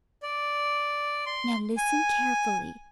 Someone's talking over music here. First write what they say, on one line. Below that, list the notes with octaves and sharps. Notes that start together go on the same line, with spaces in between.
Now, listen carefully.
D5
C6
G#5